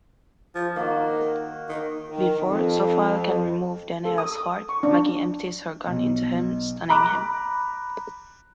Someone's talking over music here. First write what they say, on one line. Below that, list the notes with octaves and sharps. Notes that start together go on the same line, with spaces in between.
Before Zophael can remove Danyael's heart, Maggie empties her gun into him, stunning him.
F3
D#3 A#3 F#4
D#3
D#3
F2
A4
D#6
C#6
D4
B1
A#5 B5 D6 F#6